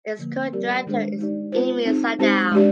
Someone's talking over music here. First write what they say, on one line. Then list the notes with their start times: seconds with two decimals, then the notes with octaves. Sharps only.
Its current director is Amy Sadao.
0.19 D3 F3 A#3
0.52 G3 C4 G4 A#4 D5
0.86 D#3 G#3 D4 G#4 C5
1.19 G#3 D#4 G4 D5
1.52 C4 F4 C5
1.86 C4 D#4 G#4
2.19 G#3 C4 D#4 G4 C5
2.52 G#3 D4 G4 D5